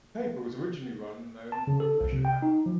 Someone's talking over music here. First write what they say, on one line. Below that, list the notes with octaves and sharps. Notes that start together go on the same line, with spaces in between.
The paper was originally run and owned by the Lesher family.
A5
C#3
A4
C2
C3
G5
D#4
F3